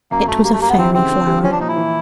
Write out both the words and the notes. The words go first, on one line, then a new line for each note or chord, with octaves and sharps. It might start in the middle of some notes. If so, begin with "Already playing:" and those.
It was a faery flower.
F#2 A#3
F#2 A3
G3 A#3
A3
G3 A#3
B3
E3 C4
C#3 C4
D3
G3
F3 C#4
D4
A#2 D#4
E4
E3